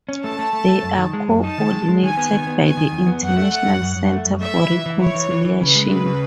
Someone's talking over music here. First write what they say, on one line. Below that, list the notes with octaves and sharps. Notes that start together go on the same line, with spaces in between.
They are co-ordinated by the International Centre for Reconciliation.
C#4
A3 A5
A3
A3
A3
F#2
D#3
G#3
F#2
D#4 A5
D#3
G#3
G#3
D#3 G#5
B3
D#3
B3
D#3 G#5
D#3
E2
B3
F#2 F#5
A3
A3
F#2
F#2
F#2
A3
F#2
A3 E5
E4
E3
E3
E4 C#5
E3
E3
E3
C#3 B4
G#3
C#3
C#3